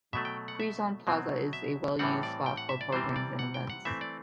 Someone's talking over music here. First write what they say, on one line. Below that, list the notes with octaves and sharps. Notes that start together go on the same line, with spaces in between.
Quezon Plaza is a well used spot for programs and events.
B2 F#3 A3 E5
G5
F#5
E5
B2 F#3 C4
E5
A2 E3 G3 C4 F#5
D5
G5
F#5
E5
D5
C3 E3 G3 C4 C5
D5
F#5
G5
F#5
E3 A3 C4 E5
D5